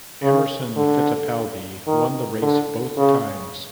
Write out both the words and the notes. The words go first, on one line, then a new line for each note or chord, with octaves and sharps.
Emerson Fittipaldi won the race both times.
C#3
D3
D#3
D3
C#3